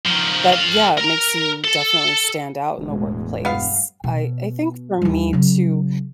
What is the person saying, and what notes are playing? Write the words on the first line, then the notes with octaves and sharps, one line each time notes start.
that yeah, it makes you definitely stand out in the workplace. I I think for me too,
D#3 F3
A4 F5
A#4 A#5
A4
E1 A2 G#3
G2 B3 F5
B2
D#2 G3
C#3 F#3